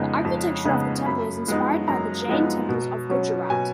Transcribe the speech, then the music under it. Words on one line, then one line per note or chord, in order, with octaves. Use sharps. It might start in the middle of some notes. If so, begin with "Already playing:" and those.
The architecture of the temple is inspired by the Jain temples of Gujarat.
Already playing: F2 C#3 G#3 B3 D#4
F2
C#3 G#3 B3 D#4
F#2 B5
F3 G#3 B3 D#4
F#2 A#5
F3 G#3 B3 D#4
B2
F#3 C#4
B2 G#5